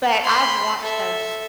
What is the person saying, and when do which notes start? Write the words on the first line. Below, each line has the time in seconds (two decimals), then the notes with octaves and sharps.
But I've watched those
0.23 B5 C6
0.79 A4 E5